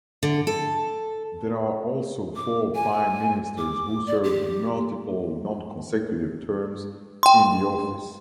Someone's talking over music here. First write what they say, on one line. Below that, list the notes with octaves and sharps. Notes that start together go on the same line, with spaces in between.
There are also four prime ministers who served multiple non-consecutive terms in the office.
D3
A4
D6
G#5
D6
D5
G4
G5 C6